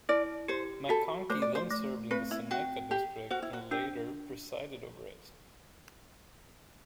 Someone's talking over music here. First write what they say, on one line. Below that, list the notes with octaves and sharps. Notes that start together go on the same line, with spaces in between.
McConkie then served in the Seneca District and later presided over it.
E4 D5
G4 C5
F#4 A4
A3 C5
D5
C5
A3
C4 B4
E4
F#4 G5
G4 G5
F#4 C5
E4
F#4
D4 G4